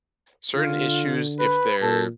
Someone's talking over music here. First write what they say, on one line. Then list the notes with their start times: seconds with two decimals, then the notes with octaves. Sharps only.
certain issues, if they're
0.54 D3 F4
1.39 B4 B5
1.82 A#2 A4 A5